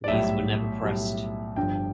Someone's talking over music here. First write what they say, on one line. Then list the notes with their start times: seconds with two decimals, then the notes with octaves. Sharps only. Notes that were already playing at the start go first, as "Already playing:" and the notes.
These were never pressed.
0.04 D5
0.08 B1 A2 G3 E5
0.82 B1 A2 G3
1.56 G1 G2 D3 F3 G5